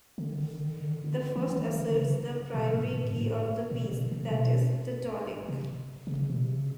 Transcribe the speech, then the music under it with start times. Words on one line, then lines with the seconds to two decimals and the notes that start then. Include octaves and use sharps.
The first asserts the primary key of the piece, that is, the tonic.
0.18 D3
0.30 D#3
0.42 D3
0.53 D#3
0.64 D3
0.76 D#3
0.88 D3
1.36 E3
1.56 D#3
1.75 D3
1.95 C#3
2.54 B2
2.73 A2
2.93 A2
3.07 G#2
3.13 A2
3.71 A#2
3.92 B2
4.12 C3
4.31 B2
5.49 C3
6.07 C#3
6.30 B2
6.42 C3
6.54 C#3